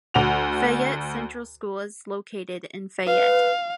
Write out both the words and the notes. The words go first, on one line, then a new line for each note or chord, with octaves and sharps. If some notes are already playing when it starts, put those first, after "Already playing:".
Fayette Central School is located in Fayette.
D2 F#4 F7
B4 F5